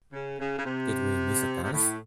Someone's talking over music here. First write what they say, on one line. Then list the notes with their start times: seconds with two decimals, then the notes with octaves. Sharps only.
Did we miss a dance?
0.13 C#3
0.40 C#3
0.58 C#3
0.66 C3
1.64 C3
1.73 A2